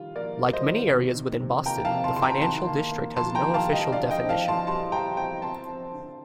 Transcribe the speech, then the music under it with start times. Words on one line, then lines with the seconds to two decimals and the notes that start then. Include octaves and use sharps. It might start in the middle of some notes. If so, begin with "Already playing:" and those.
Like many areas within Boston, the Financial District has no official definition.
Already playing: D#3 G3 F4
0.16 A#3 A#4 D5
0.41 G3
0.53 C5 D#5
0.66 D#3
0.90 C3
1.16 D#3
1.40 C3
1.66 A#3 G5 A#5
1.85 F5 A5
1.91 C3
2.04 A5 C6
2.16 C3 C6
2.22 G5 A#5
2.41 D#3 A5 C6
2.66 A#3
2.92 A#3
3.17 A#3 A5 C6
3.35 G5 A#5
3.42 D#3
3.54 F5 A5
3.67 G3
3.73 D#5 G5
3.92 D3 D5 F5
4.11 D#5 G5
4.17 C4
4.29 F5 A5
4.43 C4
4.48 A5 C6
4.67 G3 A5 C6
4.92 G3 G5 A#5
5.17 C4 G5 A#5
5.42 C4 A5 C6
5.68 C4
5.93 D3